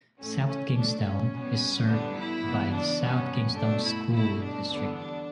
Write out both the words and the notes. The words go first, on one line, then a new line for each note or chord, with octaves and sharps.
South Kingstown is served by the South Kingstown School District.
A2 E3 A3 C#4
C#4
A2 F#3 A3 D4
C#4
B2 G3 B3
F#2 D3 G3 B3 D4
E4
C#3 E3 B3
D4
G2 F#3 B3 C#4
B2 A3 D4
E4
B2 A3 E4
D4
E2 D3 G3 B3 D4
D4